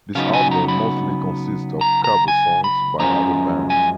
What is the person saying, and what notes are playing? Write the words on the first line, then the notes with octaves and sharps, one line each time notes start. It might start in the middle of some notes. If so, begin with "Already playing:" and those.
This album mostly consist of cover songs by other bands.
C#3 F#3 B3 D#4 F5
G#5
A#5
B5
A#5
A#5
G#5
B5
F#2 F3 G#3 C#4 A#5
G#5